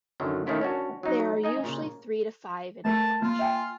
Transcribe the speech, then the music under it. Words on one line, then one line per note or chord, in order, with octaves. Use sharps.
There are usually three to five in a clutch.
F#2 D3 D#3 F#3
D#3 A3 C#4 E4 F4
C#4 D4 F#4
F#3 D#4
D#4 D#5 G#5
A#2 C#3
A3 A#4 A5
A#3 F4
E5 G5 G#5